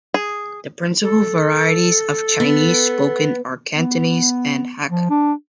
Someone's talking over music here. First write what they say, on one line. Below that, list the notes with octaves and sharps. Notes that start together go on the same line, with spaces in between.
The principal varieties of Chinese spoken are Cantonese and Hakka.
G#4
A4
B3
B3
F3
D4